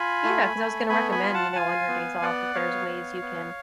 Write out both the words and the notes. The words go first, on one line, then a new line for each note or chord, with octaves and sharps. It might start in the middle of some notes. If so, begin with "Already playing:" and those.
Yeah, 'cause I was gonna recommend, you know, on your days off, if there's ways you can,
Already playing: F4 G#5 B5
A3
A3
B3 G#5 B5
G#5 B5
F4
F#5 A5
F4 F5 G#5
B3
B3 D5 F#5
B3 C#5 F5
B3
B3